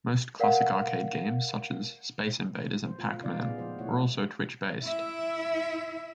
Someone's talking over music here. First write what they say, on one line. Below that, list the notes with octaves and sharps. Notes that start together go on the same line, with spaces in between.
Most classic arcade games such as "Space Invaders" and "Pac-Man" were also twitch-based.
A#4 D5 F5 F#5
B2 C5
A3 F4
C#3 B3 D#4 D5 F5
A#2 G3 G#3 B3 G#4
B2 F3 F4 C5
C#3 A3 E4 C#5 F#5
E4 E5